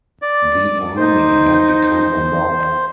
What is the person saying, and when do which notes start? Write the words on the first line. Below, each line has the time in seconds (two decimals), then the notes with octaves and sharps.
The army had become a mob.
0.22 D5
0.96 D#4 C5